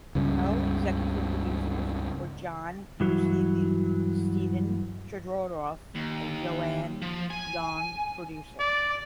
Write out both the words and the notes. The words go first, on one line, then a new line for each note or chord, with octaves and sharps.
Co-Executive Producers were John Musilli, Stephen Chodorov; and JoAnn Young, Producer.
C#2 G2 C#3
G2 E3 F#3
D#2
F3
G#5
D5